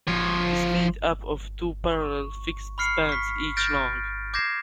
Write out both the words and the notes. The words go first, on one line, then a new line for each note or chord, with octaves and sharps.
It is made up of two parallel fixed spans, each long.
F3 C#5
C#6
B5 C#6 F6 C7 C#7
C#6 B6
F6 G6 A6 A#6 D7
D6 G6 G#6 A#6 C7 E7